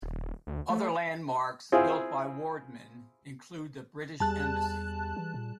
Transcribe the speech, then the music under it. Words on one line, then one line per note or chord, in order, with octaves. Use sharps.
Other landmarks built by Wardman include the British Embassy.
D#1
D2
A3
C4 E4 F4 G#4
E2 G3 G#4 A5 F#6
E3
A#2